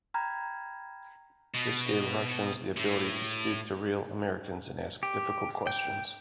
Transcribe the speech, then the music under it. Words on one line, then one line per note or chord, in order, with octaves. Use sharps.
This gave Russians the ability to speak to real Americans and ask difficult questions.
G5 A#5 B5 F6 G6 G#6
B2
A2
G4
G5